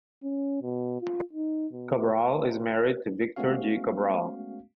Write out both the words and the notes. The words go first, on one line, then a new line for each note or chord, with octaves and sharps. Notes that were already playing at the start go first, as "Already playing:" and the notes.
Cabral is married to Victor G. Cabral.
C#4
B2
F4
D#4
B2
G#3 A3 B3 C#4 F#4 F5